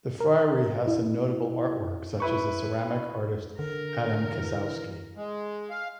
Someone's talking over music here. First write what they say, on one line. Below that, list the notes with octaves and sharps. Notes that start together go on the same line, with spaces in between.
The friary has some notable artwork such as the ceramic artist Adam Kossowski.
A#4
E4
E4 B4 C#6
D3 A#4
E3
G#3
F5